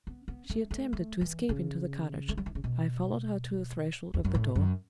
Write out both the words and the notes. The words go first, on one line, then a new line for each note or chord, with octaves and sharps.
She attempted to escape into the cottage; I followed her to the threshold of the door.
B3
B3
A3
A3
A3
E3
C#3
A3
F#3
E3
C#3
B2
E2
F#2
A2
F#2